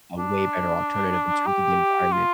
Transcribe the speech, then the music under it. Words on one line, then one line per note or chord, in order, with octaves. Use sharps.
a way better alternative in terms of the environment
D4
G4
F4